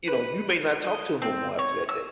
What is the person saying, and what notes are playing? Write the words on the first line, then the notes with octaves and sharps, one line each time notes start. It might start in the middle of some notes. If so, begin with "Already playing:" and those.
you know, you may not talk to 'em no more after that day.
B4
D#5
C4
C#5
E6